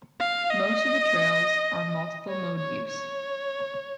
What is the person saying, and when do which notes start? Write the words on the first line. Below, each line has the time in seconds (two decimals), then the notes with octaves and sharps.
Most of the trails are multiple mode use.
0.20 F5
0.50 D#5
2.29 C#5
2.58 C#5
2.88 C#5